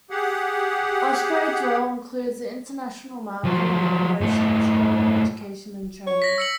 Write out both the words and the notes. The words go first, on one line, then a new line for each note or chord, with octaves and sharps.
Austrade's role includes the international marketing and promotion of Australian education and training.
G4 G#4 F#5
F3 F#3
G#2 A3
C#5
A#6 B6
E6 C#7 F#7